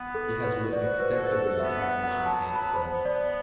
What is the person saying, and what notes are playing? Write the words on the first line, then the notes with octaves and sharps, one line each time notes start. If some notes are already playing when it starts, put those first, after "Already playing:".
He has written extensively on television and film.
Already playing: B3
A4
F#4
B4
F#4 D5
C5
B4
A4 C5
B3 E5
F#5
F#3 F#5
A5
B3 A5
B5
A5
C5
B3
D5